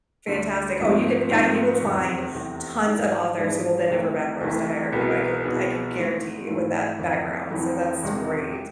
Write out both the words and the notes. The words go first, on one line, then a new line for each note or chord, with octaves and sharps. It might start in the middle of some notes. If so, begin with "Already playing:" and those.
fantastic. Oh, you could Yeah, you will find tons of authors who will bend over backwards to hire you, I can I can guarantee you, with that background, so that's great,
D2 D3 A3
G#1 G#2 F3 A3 C4
G#1 G#2 F3 A3 C4
F1 E2 C3
F1 E2 C3
G#1 G#2 E3 G#3 D4
G#1 G#2 E3 G#3 D4
C2 C3 E3 A3
C2 C3 E3 A3
C2 B2 B3 E4 G#4
C2 B2 B3 E4 G#4
G#1 G#2 E3 A3
G#1 G#2 E3 A3
F1 F2 E3
F1 F2 E3
E1 E2 C3 G#3